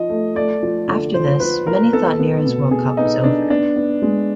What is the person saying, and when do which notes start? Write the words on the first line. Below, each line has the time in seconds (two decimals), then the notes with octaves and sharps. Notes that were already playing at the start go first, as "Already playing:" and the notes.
After this, many thought Nehra's world cup was over.
Already playing: F3 D#5
0.09 A3
0.35 A3 D5
0.63 F3
0.88 D3
1.14 F3 C5
1.40 F3 B4
1.66 F3 A#4
1.93 B3 A4
2.19 B3
2.46 B2
2.71 B2 G#4
2.97 B3 D#4
3.24 B3 D4
3.50 B3 D4
3.76 B3
4.02 G#3